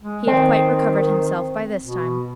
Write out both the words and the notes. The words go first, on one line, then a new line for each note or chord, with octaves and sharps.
He had quite recovered himself by this time.
G#3
D#3 C4
B2